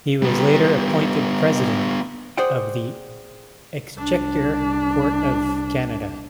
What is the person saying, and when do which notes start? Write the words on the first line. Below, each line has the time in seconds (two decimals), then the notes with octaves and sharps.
He was later appointed president of the Exchequer Court of Canada.
0.22 G3 B3
2.38 G#4 C5 D5 F#5 G5
3.95 C2 D4